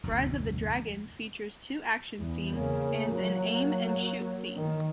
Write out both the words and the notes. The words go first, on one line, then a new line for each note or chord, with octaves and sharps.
"Rise of the Dragon" features two action scenes and an aim-and-shoot scene.
F1 D2 G#2 B2
E2
C#3 A#3
F#3 A#3
D#3